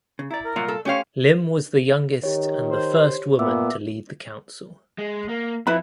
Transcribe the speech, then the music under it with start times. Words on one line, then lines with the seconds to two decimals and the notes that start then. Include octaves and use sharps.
Lim was the youngest and the first woman to lead the council.
0.19 C#3
0.31 E4 D5 A#5
0.44 A#4
0.56 C2 A#2 F#3 F4
0.68 A4
0.85 A3 C#4 G4 C5 C#5 F5
2.24 D#3 G4 C#5
2.70 C5
3.39 A#2 B3 E5 D6 E6
4.98 G#3
5.29 A#3
5.67 F2 C4 E4 B4 B5